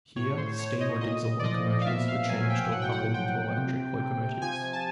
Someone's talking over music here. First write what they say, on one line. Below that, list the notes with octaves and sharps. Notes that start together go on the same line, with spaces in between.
Here, steam or diesel locomotives were changed or coupled to electric locomotives.
A2 C#5
C5
C5
A2 C#5
D#5
A#2 D#5
D5
F3 D#5
F5
B2 E5
F5
F#3 G#5
G5
A2 F#5
G5
F#5
F3 G5
C3
C3
F3 G#5
A5